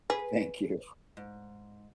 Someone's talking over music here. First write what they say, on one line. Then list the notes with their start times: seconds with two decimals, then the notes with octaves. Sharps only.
Thank you.
0.10 G#4 B4
1.17 G#2